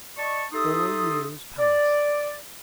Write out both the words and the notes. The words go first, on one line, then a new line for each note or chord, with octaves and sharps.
Four years passed.
D5 D#5 A5 C#6
D#4 G4 A4 E5 C6 D#6
D5